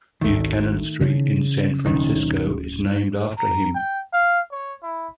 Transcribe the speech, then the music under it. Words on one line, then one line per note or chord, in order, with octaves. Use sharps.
Buchanan Street, in San Francisco, is named after him.
G#1 D2 D#3 A3
C#3 E3 D4
D1 B1 D#3 C#4 D#4
A#5
G5
F5
C#5
E4